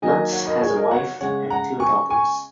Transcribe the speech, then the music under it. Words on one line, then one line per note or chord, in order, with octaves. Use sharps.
Lutz has a wife and two daughters.
D#3 F#3 A#3 D#5 G#5
C#5 F#5
A#4 D#5
G#4 C#5
A#4 D#5
C#5 F#5
C#3 G#3 C#5 F#5
F#5 A#5
G#5 C#6
G#5 C#6